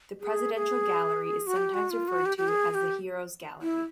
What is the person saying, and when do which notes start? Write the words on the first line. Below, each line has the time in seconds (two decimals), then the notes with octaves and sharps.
The Presidential gallery is sometimes referred to as "The Heroes' Gallery".
0.21 G#4
0.55 G#4
1.47 F#4
1.57 G4
1.74 F#4
1.91 F4
2.08 F#4
2.26 G4
2.37 G4
2.48 G#4
2.71 G#4
2.74 G4
3.62 E4